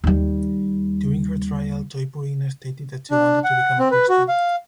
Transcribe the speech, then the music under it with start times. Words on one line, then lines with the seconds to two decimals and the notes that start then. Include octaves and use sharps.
During her trial, Toypurina stated that she wanted to become a Christian.
0.04 D#2 G3
3.11 D4
3.44 F#5
3.79 C4
3.91 B4
4.09 F#4
4.29 F5